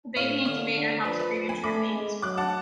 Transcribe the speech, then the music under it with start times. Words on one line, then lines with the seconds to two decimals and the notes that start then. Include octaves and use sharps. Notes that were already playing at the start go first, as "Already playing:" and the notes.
A baby incubator helps premature babies grow.
0.16 A2 C#5 F5
0.45 D3 C#5 F5
0.75 D3
1.05 F3 B4 D5
1.20 B4
1.49 G#5 B5
1.64 A3 B5 D6
1.93 G#3
2.22 F#3 D6 F#6
2.37 F#5 A5